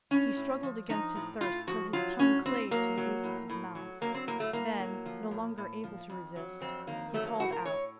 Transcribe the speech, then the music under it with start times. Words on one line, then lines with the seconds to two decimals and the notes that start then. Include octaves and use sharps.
He struggled against his thirst till his tongue clave to the roof of his mouth; then, no longer able to resist, he called out.
0.11 A2 C#4
0.37 A2
0.63 F3
0.89 F3 D#4
1.15 A2
1.41 A2 F4
1.67 F3 F#4
1.93 F#3 F4
2.19 A2 C#4
2.46 A2 C4
2.71 F#3 A#3
2.98 F#3
3.24 A2
3.50 A2
3.75 F#3
4.01 F#3 A#3
4.14 C4
4.27 A2 A#3
4.40 A3
4.53 A2 A#3
4.80 F#3
5.06 F3
5.31 A2
5.58 A2
5.84 F3
6.10 F2
6.36 F#3
6.61 F2 C4
6.87 D#3 A#3
7.14 F#3 A3
7.27 A#3
7.40 A2 F#4
7.52 A#4
7.65 A2 C#5